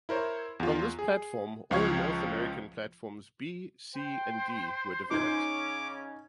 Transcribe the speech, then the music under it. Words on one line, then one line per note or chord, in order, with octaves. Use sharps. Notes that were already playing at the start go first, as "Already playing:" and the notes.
From this platform, all North American platforms B, C, and D were developed.
E4 A#4 C5 C#5
E2 F4
G#4
C#2 F3 F5 C#6 G#6
C5 G5
C#3 C#4 D#4 D6 G#6